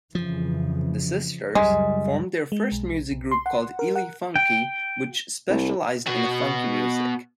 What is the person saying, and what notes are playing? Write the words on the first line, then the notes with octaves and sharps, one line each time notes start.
The sisters formed their first music group called Elefunky, which specialized in funky music.
F2 C#3 E3 F3
C#2 F#2 G3 G#3
G#3
B1
B1
C6
F#5
A#4
F#5
G5
C2
B2 F#4